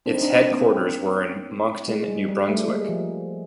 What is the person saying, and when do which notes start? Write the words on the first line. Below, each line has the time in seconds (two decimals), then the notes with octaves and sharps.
Its headquarters were in Moncton, New Brunswick.
0.06 C4 D4
0.14 D#4
0.21 C4 D4
0.36 C4 D4
0.51 A#3 C4
1.88 G#3
2.08 G3
2.28 G3
2.48 A3
2.68 G#3 A#3
2.89 F3